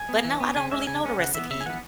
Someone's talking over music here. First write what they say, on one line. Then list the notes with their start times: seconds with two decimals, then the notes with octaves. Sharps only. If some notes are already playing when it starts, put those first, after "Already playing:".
but no, I don't really know the recipe.
Already playing: G#5
0.09 B3
0.25 E3
0.40 B3
0.56 C#3 G#5
0.71 G#3 C#4 E5
0.87 C#3 G#5
1.03 G#3 C#4
1.18 C#3 F#5
1.34 E3 B3 E5
1.50 C#3 E5
1.61 G#5
1.66 E3 B3 F#5